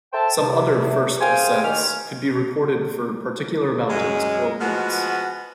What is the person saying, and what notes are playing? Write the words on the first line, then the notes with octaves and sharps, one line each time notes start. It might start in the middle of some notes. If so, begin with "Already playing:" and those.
Some other "first ascents" could be recorded for particular mountains or routes.
A4 C5 E5 G5 A5
E2 C3
G#4 C5 F5 G5 G#5
D#3 G4 F6
F#2 G#3
F3 G#3 B3 F#4